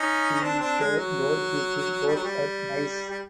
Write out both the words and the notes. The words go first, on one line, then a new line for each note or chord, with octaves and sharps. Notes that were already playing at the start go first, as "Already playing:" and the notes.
He is the goalkeeping coach at Nice.
Already playing: C#4 D#4
C4 D4
C4 D4
G#3
F#3
G3
F#3
G3
G3